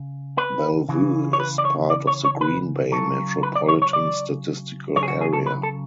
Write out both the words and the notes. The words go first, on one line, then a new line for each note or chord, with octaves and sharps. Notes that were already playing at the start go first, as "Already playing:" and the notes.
Bellevue is part of the Green Bay Metropolitan Statistical Area.
Already playing: C#3
B4
C#3 E3
C#5
B4
D5
C#5
D5
C#5
C#5
B4
C#3 F#3 A4
B4
D5
C#5
C#5
D5
C#3 F#3 C#5
G#4
F#4
G#4
A4
B4
A4